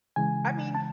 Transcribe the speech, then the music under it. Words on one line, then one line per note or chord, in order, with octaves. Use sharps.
I mean,
C#3 E3 G#3 G#5
A5